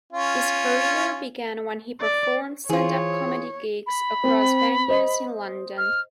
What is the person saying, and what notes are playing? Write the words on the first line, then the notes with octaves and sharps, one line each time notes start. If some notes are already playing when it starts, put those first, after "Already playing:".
His career began when he performed stand-up comedy gigs across venues in London.
C#4 F4
D5
E3 F4 G#4 C5 C#5
B5
C4
C5 D#5
F6